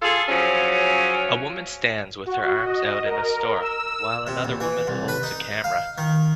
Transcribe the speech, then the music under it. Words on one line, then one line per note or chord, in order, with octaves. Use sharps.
A woman stands with her arms out in a store while another woman holds a camera.
F4 G#4 A4
C#3 F3 F#3 C#4
F#4
D#5
A#4
E6
C3
A#1
E3
C2
B4
D#4
F5
D#3